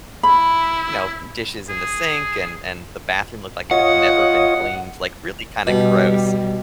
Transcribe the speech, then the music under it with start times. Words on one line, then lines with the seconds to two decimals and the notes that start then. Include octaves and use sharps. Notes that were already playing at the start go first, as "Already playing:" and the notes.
you know, dishes in the sink and and the bathroom looked like it had never been cleaned, like really kinda gross.
0.23 E4 B5
1.69 G#4
3.71 F4 C#5 D#5 F#5
5.67 B2 G3